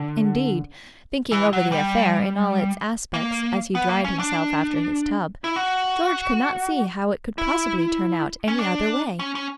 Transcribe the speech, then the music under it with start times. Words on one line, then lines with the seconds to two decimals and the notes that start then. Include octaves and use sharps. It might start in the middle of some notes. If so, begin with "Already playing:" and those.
Indeed, thinking over the affair in all its aspects as he dried himself after his tub, George could not see how it could possibly turn out any other way.
Already playing: D3
1.32 E3
1.53 F#3
1.72 G3
3.14 A#3
3.75 B3
3.89 A#3
4.04 C#4
4.19 D4
5.44 E4
5.56 F#4
7.38 E4
8.48 C#4
8.59 D4
9.19 C#4
9.35 C#4